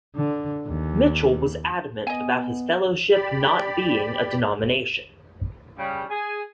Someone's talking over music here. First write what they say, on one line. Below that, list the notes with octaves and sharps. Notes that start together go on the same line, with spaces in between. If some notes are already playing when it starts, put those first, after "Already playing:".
Mitchell was adamant about his fellowship not being a denomination.
D3
D#2
B3 D#5 G#5
G4 D5 B5
C#3 G3
G#4 G#5